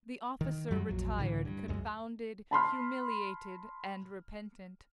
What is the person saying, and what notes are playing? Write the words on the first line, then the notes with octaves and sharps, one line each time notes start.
The officer retired confounded, humiliated, and repentant.
D#3
F#2 F#3 G3
A#1 F2 F#3
C#2 A2 D3 E3
G2
C#2 F#2 G#3
A5 B5 C6 F6